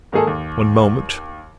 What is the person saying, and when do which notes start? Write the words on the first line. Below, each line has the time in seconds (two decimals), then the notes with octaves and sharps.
One moment.
0.12 G#2 D#3 A#3 G#4 A4
0.27 D#2